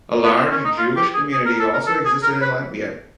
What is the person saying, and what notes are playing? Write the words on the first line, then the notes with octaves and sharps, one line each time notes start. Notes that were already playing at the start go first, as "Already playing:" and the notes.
A large Jewish community also existed in Latvia.
B3
C4
C#4
D#4
F4
G4
G#4
G#4
A#4
A4
A#4
A4
G#4
A#4
B4